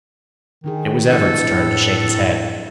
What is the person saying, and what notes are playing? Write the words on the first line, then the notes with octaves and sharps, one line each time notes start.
It was Everts' turn to shake his head.
D3 D#3 D#4 G#4
F3 D4 E4 A4
A2 C4 B4